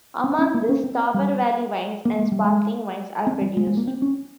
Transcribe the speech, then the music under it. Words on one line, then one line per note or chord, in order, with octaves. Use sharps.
Among this Tauber valley wines and sparkling wines are produced.
C4
C#4
A#3
C#4
C4
G3
A#3
G#3
G3
G#3
C4
G3
G#3
G#3
A#3
C4
C#4